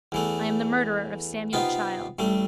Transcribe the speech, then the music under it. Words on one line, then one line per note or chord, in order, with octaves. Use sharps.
I am the murderer of Samuel Childs.
E2 E3 A3
C3 B3 D#4 F4
A1 G3 A3